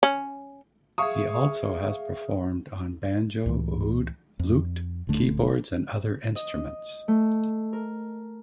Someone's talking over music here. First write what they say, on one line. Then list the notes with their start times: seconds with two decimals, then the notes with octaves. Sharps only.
He also has performed on banjo, oud, lute, keyboards and other instruments.
0.03 C#4
0.98 G#4 E5 F5 C#6 D#6
3.46 C#2 A2 E3
4.39 F2
5.07 D1 C#2 D3 A3
6.36 D#5
7.08 A3
7.73 A#4